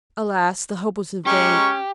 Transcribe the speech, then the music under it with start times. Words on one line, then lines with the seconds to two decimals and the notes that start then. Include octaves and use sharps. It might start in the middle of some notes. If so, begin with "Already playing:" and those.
Alas! the hope was vain.
1.26 G#3 C#4 G4 A#5 C#6